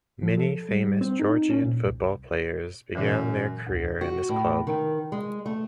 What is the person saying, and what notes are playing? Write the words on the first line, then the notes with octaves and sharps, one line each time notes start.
Many famous Georgian football players began their career in this club.
F3
A4
G3
G3
C4
D#4
C#4
A#2
C2
F#2 A#2 D3 E3
D2
F#4
A2
D#3
G#3
A3